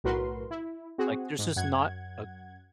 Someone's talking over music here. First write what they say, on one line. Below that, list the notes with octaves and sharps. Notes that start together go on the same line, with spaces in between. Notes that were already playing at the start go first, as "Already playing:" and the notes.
Like there's just not a
B1 A2 F#4 A#4 B4 C6
E4
C4 F#4 G#4
G#2
F#2 F#5 G#6